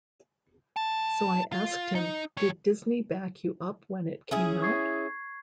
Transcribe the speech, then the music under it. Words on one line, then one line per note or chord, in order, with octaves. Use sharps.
So I asked him Did Disney back you up when it came out?
B1 A5
F4
D#4
G2 C#5
C#4 E4 G#4
C#6 G#6 C7